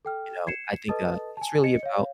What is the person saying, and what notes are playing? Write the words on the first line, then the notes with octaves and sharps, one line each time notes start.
uh, you know, I think, uh, it's really about,
A4 G5 F6
G#6 C7 C#7 E7
A4 B4 D#5 A5 D#6 A6
G#5 A5
D#5 C#7
C#5 F5